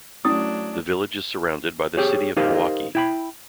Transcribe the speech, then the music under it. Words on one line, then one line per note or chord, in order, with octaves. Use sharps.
The village is surrounded by the City of Pewaukee.
F#3 A3 C#4 D4 E4 D#6
G4 G#4 C#5
D#4 G4 A#4 C5 D#5 F5
E4 G5 B5